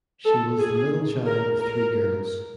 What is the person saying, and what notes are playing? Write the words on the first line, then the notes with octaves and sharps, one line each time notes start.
She was the middle child of three girls.
A4
G#4
A#4
A#4